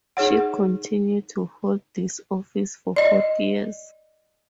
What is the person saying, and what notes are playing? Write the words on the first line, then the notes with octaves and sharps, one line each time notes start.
She continued to hold this office for forty years.
D#4 G#4 C#5 F#5
D5 D#5